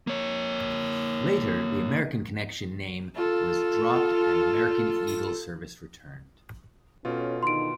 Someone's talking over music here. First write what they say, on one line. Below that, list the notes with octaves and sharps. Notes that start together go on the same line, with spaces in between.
Later, the American Connection name was dropped and American Eagle service returned.
A#3 C#5
F4 A4
B2 C#4 F4 A4 C#5
D3 D#3 D#4 C6 D7